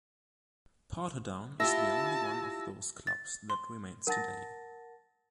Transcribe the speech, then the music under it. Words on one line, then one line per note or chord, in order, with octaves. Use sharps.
Portadown is the only one of those clubs that remains today.
E4 F4 G4 E5 A5 E6 A#6
A6
C6
A#4 F#5 A5 A6 A#6